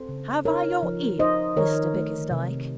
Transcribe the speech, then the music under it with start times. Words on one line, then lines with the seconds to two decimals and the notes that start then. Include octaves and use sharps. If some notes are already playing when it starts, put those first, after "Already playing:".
Have I your ear, Mr Bickersdyke?'
Already playing: C4 A4 C5
0.09 C#3
0.45 D#4 A#4 C#5
0.83 F3
1.19 D#4 C5 D#5
1.56 D#3 A#4 C#5
1.94 A3
2.31 C3